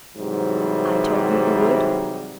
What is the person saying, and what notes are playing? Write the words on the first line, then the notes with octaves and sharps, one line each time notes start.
"I told you you would."
G#2 C3 E3 F#3 G3